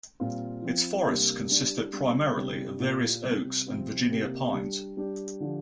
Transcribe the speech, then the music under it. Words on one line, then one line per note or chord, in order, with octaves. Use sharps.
Its forests consist primarily of various oaks and Virginia pines.
A#2 G3 C4 F4
F3 C4 F4
C3 G3 A#3 D4 G4
G3 D4 G4
G3 D4 G4
C3 G3 D4 G4
A#2 A#3 G4
C3 G3 C4 G4
C3 F3 C4 F4
C3 A#3 G4
G3 D4 G4
G3 D4 G4
D3 F3 D4 G4